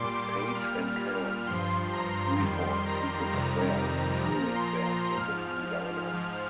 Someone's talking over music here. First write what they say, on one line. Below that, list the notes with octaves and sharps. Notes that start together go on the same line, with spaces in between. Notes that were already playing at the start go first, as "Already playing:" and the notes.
Page and Cairns reformed Secret Affair as a touring band with a new line-up.
Already playing: A#2 G3 C6 D6
D6
A#2 G3 F6
F6
F6
G2 F3 C6
A#5
F2 D#3 G3 C6
A#5
F2 C3 D#3 G3 A#5
A#2 F3 A#5
C6
A#5
G#2 F3 F6
G#2 F3